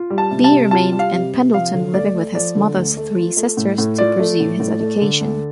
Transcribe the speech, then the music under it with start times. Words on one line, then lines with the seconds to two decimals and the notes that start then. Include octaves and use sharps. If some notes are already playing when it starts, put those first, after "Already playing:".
Bee remained in Pendleton living with his mother's three sisters to pursue his education.
Already playing: F4
0.10 G3
0.18 A5
0.31 C3
0.44 A5
0.52 C3
0.71 F4 A5
0.92 G3
0.99 F5
1.13 C3
1.33 C3
1.54 F3 F5
1.73 D3
1.94 D2 D5
2.15 A3
2.35 F3 D5
2.55 D3
2.76 D2
2.97 A3
3.16 F4
3.37 A3
3.57 A2
3.78 A2
3.98 F4 D5
4.19 A3
4.40 A2
4.60 A2
4.80 A3
5.01 D3
5.21 D2